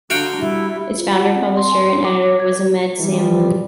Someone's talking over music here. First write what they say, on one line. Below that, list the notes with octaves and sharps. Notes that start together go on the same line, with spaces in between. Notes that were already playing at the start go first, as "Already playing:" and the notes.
Its founder, publisher and editor was Ahmad Shamlou.
D3 D4 F#4 F5 G5 A#5
G3 E4
F4
F#5
A5
C4
C6
G#5
C#5
D6
D6
G#6
C#5
E3 G3